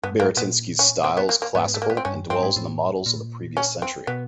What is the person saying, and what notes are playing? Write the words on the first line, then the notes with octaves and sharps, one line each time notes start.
Baratynsky's style is classical and dwells on the models of the previous century.
G2 B3
G#2 A#3
A#2 B3
C#4
C4
B3
A#3
A#3
G#2 B3
A3
A#3
B3
C4
G2 C#4
F#2
G2 C4
G#2
A2
A#2
A2
A#2
C#4
C4
B2 B3